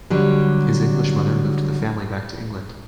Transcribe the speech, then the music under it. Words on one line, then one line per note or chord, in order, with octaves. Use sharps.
His English mother moved the family back to England.
D3 F#3 G3